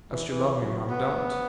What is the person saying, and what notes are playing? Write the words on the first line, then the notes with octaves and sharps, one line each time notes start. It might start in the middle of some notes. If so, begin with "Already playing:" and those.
"As you love me, mum, don't!"
E3
E3
F#3
B3